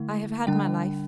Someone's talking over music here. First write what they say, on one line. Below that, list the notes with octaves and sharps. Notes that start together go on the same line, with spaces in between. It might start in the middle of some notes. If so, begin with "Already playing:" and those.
I have had my life.
Already playing: D3 A3 E4
D3 G3 D4 G5